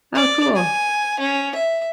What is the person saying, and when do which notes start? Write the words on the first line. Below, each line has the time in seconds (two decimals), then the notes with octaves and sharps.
Oh, cool.
0.15 D5
0.56 G#5
1.19 C#4
1.55 E5